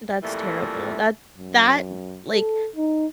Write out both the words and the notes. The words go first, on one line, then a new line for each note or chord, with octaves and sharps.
That's terrible. That that, like,
F2 A#2 E3 G3 A3
F#2
A4
D#4